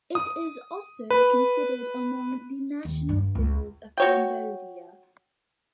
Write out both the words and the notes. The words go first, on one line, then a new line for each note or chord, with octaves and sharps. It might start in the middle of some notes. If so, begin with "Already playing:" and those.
It is also considered among the national symbols of Cambodia.
D#6
B4
D#2
G2
C#2
F#4 C#5 G5